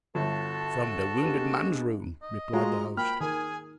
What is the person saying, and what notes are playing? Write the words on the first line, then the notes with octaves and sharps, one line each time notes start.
"From the wounded man's room," replied the host.
G1 F#4 A4 A5
G#3 A#3 D4 G4 B4
D#5
G#3 F4 F#4 A#5
A#3 G5 B5 F6
D#3 G#4 A#4 G#5